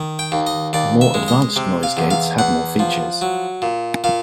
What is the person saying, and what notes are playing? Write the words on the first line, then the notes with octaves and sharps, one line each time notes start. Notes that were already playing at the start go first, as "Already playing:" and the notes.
More advanced noise gates have more features.
Already playing: D#3
G5
D#2
D#5
D#2 D5
E5
G#3
D#5
C3
F5
E2
F5
E2 F#5
F3
F#3
A#2
A#2 F5